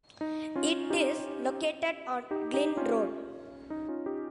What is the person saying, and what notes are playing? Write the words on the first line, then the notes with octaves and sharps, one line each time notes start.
It is located on Glen Road.
D#4
C#4 F4
D#4 G4
D#4 G4
D#4 G4
C#4 F4
D#4
C#4 F4
D#4 G4